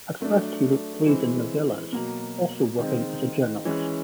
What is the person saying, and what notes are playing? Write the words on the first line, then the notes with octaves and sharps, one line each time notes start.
At first he wrote plays and novellas, also working as a journalist.
F#3 A3 D4
E3 G#3 C4
B2 F#3 A#3
D#3 G#3 C4 D#4
E3 G#3 C#4